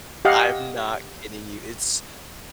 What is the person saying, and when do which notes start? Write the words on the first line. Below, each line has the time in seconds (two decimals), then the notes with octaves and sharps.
I'm not kidding you, it's
0.25 G4 D#5 F5 F#5